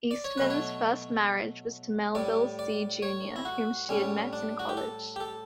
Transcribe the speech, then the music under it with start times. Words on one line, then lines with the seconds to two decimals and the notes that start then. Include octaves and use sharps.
Eastman's first marriage was to Melville See Junior whom she had met in college.
0.11 D5
0.24 C#5
0.38 B2 F#3 A3 B4
0.50 C#5
2.15 A2 G3 D5
2.59 D5
3.02 C#5
3.36 E4
3.45 F#4
3.89 A2 G3 C#4
4.33 D4
4.59 F#4
4.69 G4
4.77 A4
5.16 G4
5.20 A4